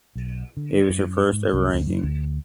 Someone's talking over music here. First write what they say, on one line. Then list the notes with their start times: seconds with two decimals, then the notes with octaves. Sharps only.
It was her first ever ranking.
0.16 B1
0.57 D3
0.89 F#2
1.32 G#2
1.53 C2
1.73 D2
1.87 F#2
2.03 D2